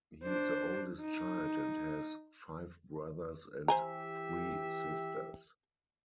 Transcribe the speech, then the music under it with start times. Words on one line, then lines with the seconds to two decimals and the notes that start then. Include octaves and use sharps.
He is the oldest child and has five brothers and three sisters.
0.23 D4 C5
1.01 D#4
3.68 E3 G4 C5 E5 G#5 A#5